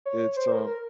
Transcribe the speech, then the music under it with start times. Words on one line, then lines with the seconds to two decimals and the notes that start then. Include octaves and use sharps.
it's, um,
0.06 C#5
0.36 C5
0.48 C5
0.52 A#4
0.67 A#4